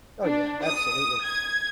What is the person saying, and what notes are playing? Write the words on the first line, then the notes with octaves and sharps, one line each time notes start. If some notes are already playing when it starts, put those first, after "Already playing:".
Oh yeah, absolutely.
D4
D#6
G#6